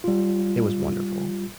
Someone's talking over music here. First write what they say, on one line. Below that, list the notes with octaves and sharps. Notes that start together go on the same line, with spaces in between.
it was wonderful.
G3 F4